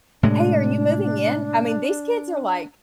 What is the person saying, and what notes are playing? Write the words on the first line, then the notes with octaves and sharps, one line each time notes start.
"Hey, are you moving in?" I mean, these kids are, like,
A2 C3 G#3 D4